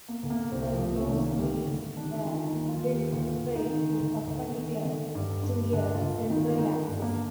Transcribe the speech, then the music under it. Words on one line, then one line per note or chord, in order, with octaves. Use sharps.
The new streets were built straight and perpendicular to a central axis.
A#3
D2
A#3
C2 C4
F3
C2
A3
A#3
D#3 A3
A#3
D2 G3
D2
D#3 D4
D#4
D#3 F4
D#4
D#2
F4
D#2
G4
D2 F4
D2
D#4
D#3
D2
D2
D#3
D3
G2
G2
D2 D4
F4
D2
D#3 D#4
F4
D3 D#4
D4
G2
A#3